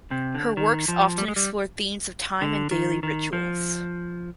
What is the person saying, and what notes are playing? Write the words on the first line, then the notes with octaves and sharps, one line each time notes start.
Her works often explore themes of time and daily rituals.
C3
D3
D#3
F3
G3
G#3
G3
D3
D#3
D#3
F3